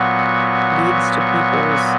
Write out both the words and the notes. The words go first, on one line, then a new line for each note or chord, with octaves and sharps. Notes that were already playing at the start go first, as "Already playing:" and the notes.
leads to people's,
Already playing: A#2 F#3 B3 C#6
C#6